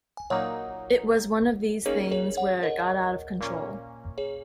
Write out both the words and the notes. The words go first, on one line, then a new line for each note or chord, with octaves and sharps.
It was one of these things where it got out of control.
G#5
A#2 F#3 A#3 D#4 C#5 F#5
D#3 A#3 C#4 G#4 C#5
G#4 C#5
C#5 F#5
A#4 D#5
A#2 A#3 C#4
G#4 C#5